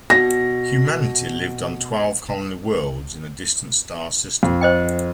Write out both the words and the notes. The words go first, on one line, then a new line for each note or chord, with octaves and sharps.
Humanity lived on twelve colony worlds in a distant star system.
B2 A#6
F2
C5 D#5 G5